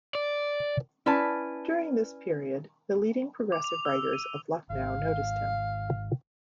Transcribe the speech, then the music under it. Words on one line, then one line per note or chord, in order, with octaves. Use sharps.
During this period, the leading progressive writers of Lucknow noticed him.
D5
C#4 E4 B4 D5 A5
D6
F7
E6
D#7
G#1 F5